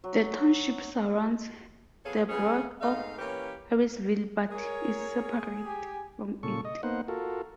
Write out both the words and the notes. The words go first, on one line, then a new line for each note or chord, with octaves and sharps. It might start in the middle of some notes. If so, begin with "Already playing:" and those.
The township surrounds the borough of Harrisville but is separate from it.
F#3
F2 B3 G#4 A4 C#5 F5
C#3 F3 B3 C#4 G#4
G#2 A3 D#4 F5
E3 A#3 C#4 G4 B4 C#5
G#4 A#4 C#5
G4 G#5
A#2 C#3 A4 C#6
D#5
A#3 B3 D#4 C5 F#5
F4 F#4 A4 A#4